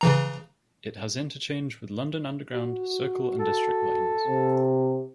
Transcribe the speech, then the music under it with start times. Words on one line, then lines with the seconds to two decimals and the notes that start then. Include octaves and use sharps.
It has interchange with London Underground Circle and District lines.
0.01 C#3 E3 A#5
2.53 F#4
3.39 F#4 A4
4.27 C3